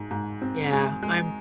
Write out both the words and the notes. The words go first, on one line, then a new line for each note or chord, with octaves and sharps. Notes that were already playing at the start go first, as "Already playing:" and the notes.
Yeah. I'm
Already playing: G#2
G#2
C4
G#3
G#3